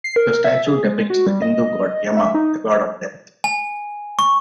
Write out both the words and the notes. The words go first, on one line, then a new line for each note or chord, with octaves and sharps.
The statue depicts the Hindu god Yama, the god of death.
C7
A#4
E5
G#4
G#3
F#4
G3
D#5
E5
D#4
G#5
C#6